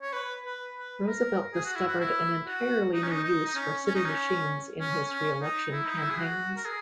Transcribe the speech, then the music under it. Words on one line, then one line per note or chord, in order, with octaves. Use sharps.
Roosevelt discovered an entirely new use for city machines in his reelection campaigns.
C#5
B4
B4
B4
A#4
G#4
F#4
E4
F#4
E4
F#4
D#4
C#4
D#4
D#4
D#4
C#4
C#4
D#4
C#4
C#4
C#4
D#4
E4
D#4
E4
G#4
F#4
A#4
G#4